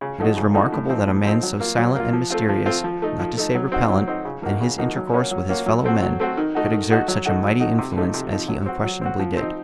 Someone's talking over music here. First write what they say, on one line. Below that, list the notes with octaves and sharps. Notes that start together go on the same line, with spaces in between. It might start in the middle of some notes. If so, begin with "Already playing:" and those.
It is remarkable that a man so silent and mysterious, not to say repellent, in his intercourse with his fellow-men could exert such a mighty influence as he unquestionably did.
C#3
F3 A3 D#4 F#4
C#3
F3 A3 D#4 F#4
A2
F3 C4 D#4
A2
F3 C4 D#4
F#3
A#3 F4
F#3
A#3 F4
F3
A3 C4 F4
F3
A3 C4 F4
F3
A3 D#4
F3
A3 D#4
F#3
C4 D#4 F#4
F#3
C4 D#4 F#4
C#3
F3 A#3 D#4 F#4
C#3
F3 A#3 D#4 F#4
F#3
A#3 C#4 F#4
F#3
A#3 C#4 F#4
F#3
A3 C4 F#4
F#3
A3 C4 F#4
D#3
A3 D#4 F#4
D#3
A3 D#4 F#4
F#3
A3 D#4 F#4
F#3
A3 D#4 F#4
C3
F3 A3 D#4
C3
F3 A3 D#4
F#3
C4 F#4
F#3
C4 F#4
F3
C4 D#4